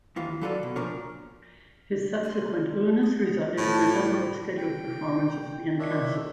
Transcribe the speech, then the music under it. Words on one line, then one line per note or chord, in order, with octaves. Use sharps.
His subsequent illness resulted in a number of scheduled performances being cancelled.
D#2 E3 F4
F#3 F4 A4 B4 C5 D5
B2
A#2 F3 D4 A#4 C#5
C5 D#5 F5
D#6
A2 G#5 A5
G4 D#5
G5
D#3 D4 C#5 E5